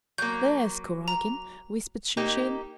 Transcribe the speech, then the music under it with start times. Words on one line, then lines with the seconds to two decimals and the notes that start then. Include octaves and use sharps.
"There's Kuragin!" whispered Shinshin.
0.18 F#3 A#3 G6
1.08 A#5
2.17 A#3 D#4 G4